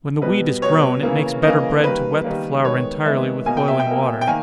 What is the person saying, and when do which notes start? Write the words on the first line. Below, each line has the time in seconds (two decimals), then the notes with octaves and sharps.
When the wheat is grown, it makes better bread to wet the flour entirely with boiling water.
0.21 B2 G3 B3 B4
0.62 B2 G3 B3 C#5
1.03 C#3 E3 A#3
1.43 C#3 E3 A#3 D#5
1.84 D#3 G3 A#3 B4
2.24 D#3 G3 A#3
2.65 D#3 G#3 B3 C#5
3.05 D#3 G#3 B3 E5
3.46 B2 A#3 G#5
3.57 G5
3.68 E5
3.80 G5
3.86 B2 A#3
4.21 G5
4.27 D#3 A#3 G#5